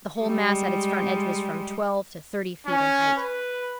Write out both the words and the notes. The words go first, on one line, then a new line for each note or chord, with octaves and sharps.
The whole mass at its front edge was from twelve to thirty feet in height.
G3 G#3
C#4
B4